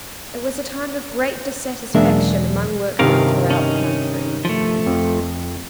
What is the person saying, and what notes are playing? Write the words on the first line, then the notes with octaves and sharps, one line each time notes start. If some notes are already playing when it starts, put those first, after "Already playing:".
It was a time of great dissatisfaction among workmen throughout the country.
B1 E2 G#3 A#3 D4 E5
G2 C3 D#3 C#4 A#4 F5
C#4 D#4
F3 A3
F2